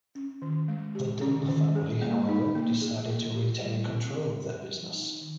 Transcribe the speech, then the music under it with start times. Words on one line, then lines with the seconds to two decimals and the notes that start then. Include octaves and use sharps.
The Dunne family, however, decided to retain control of their business.
0.15 C#4
0.42 D#3
0.68 G#3
0.95 G4
1.21 C#4
1.48 D#3
1.75 G#4
2.02 A#3
2.29 D#4
2.55 A#3
2.81 G#4
3.08 A#3
3.34 G4
3.61 G3
3.88 C4
4.15 A#4
4.42 G4
4.68 G3
4.94 D#4
5.21 D#3